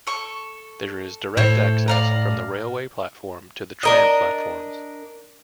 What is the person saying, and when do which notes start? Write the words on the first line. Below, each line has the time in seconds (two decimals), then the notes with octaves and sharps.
There is direct access from the railway platform to the tram platforms.
0.07 A4 C#6
1.37 A2 A4 C5 C#5
1.88 D5 F5 A#5
3.83 D4 A#4 D#5